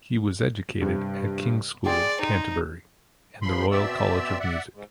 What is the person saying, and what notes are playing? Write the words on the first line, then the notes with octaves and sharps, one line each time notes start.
He was educated at King's School, Canterbury and the Royal College of Music.
G2 C3
G#4 D5 G5 C6
D#4
E2 F3 B5 C6
B2 C4 D5 E5 E6
D5 E5 F#5
G#2